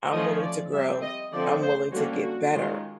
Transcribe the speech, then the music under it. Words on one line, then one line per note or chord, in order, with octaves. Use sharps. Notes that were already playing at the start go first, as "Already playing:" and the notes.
I'm willing to grow, I'm willing to get better,
F3 A3 C#4 D#5
D5
G3 C4 E5
D#5
D3 F3 A3 C4 D5
C5
D3 G3 A#3 C#4 F#4
F#4
D#3 G#3 C#4 F4